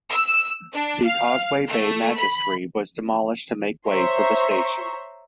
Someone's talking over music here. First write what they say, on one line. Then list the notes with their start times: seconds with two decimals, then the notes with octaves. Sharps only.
The Causeway Bay Magistracy was demolished to make way for the station.
0.12 E6
0.74 D4
1.05 F5
1.68 A3
2.18 B5
3.87 C5 C#5 E5 A#5 C6 C#6